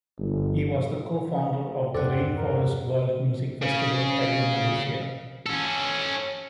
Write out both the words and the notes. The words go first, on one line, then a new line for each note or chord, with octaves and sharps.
He was the co-founder of the Rainforest World Music Festival held in Malaysia.
G1
E2 G2 C3 C4 A4 D5 F#5
A#4
C#3
C#4 A4